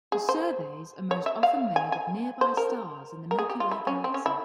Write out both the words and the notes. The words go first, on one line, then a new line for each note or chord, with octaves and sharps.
The surveys are most often made of nearby stars in the Milky Way Galaxy.
G#4
C5
C#5
E5
F5
G#5
G#5
C5
A#4
A#4
G#4
G4
F4
E4
C#4
C4
C#4
E4